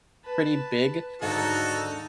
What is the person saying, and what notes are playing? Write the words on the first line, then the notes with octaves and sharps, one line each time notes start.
pretty big,
B4 A5
D#2 G#2 D3 D#4 F#4 A4